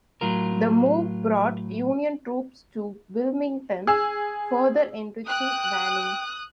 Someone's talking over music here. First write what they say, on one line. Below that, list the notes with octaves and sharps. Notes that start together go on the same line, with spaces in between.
The move brought Union troops to Wilmington, further enriching Banning.
A2 F#3 F4 A#4
G#4 E6
G5 D#6 F#6